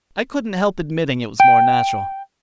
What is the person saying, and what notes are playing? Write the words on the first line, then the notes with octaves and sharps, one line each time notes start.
I couldn't help admitting it was more natural.
G5